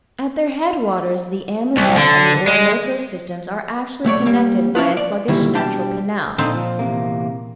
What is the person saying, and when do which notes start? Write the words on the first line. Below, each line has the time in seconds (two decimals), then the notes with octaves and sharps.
At their headwaters the Amazon and the Orinoco systems are actually connected by a sluggish natural canal.
1.77 C2
1.97 D3
2.47 G#3
4.04 B1 A3 C#5 D5
4.26 G3 A#3 C4
4.75 C#4 E4 F4 B4
4.97 D5
5.28 A#2 D3 D#3 F#3 G3 E4
5.55 B2 G3 D4 G5 A5
6.38 A#2 D3 C4 D#4 A5
6.55 F3
6.79 E2 C3 A#3